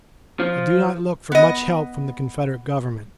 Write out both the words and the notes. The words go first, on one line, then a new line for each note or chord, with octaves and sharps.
I do not look for much help from the Confederate Government.
F3
B3 D#5